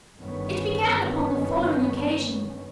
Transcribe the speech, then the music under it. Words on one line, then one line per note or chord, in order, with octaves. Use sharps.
It began upon the following occasion.
G1 G2 D#3 B3 C#4